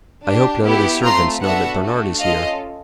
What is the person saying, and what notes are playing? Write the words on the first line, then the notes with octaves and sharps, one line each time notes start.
"I hope none of the servants know that Bernard is here?"
D4 G4
B3 E4 G4
A3 C4 F4 A#5 C6
B3 D4 F#4 A4 E5 F#5
A3 D4 F#4
C#4 F4 A4 D#5 F5